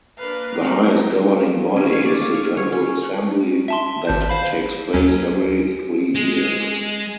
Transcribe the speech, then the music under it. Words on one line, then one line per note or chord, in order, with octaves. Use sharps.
The highest governing body is the General Assembly that takes place every three years.
A#3 D4 A#4 B4 F5
G3 C4 D#4
C#4
C#5
D5
F5
C#5
C#5
C#4
E5 A5 C6
G#1 A5 G6
C5 F5 B5
D#2 F#3 C#4
G#3